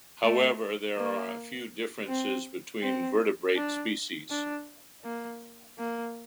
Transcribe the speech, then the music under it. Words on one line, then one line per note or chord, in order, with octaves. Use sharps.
However, there are a few differences between vertebrate species.
A3
A#3
C4
C4
D4
D4
A#3
A#3